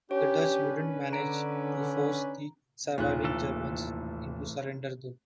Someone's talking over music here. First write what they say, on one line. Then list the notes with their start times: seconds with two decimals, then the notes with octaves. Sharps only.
The Dutch wouldn't manage to force the surviving Germans into surrender though.
0.11 C#4 D4 G4 B4 C#5
1.13 D3 A#5 D7
2.98 F1 D#2 A#2 D#3 F#6
3.24 A2 E3 A4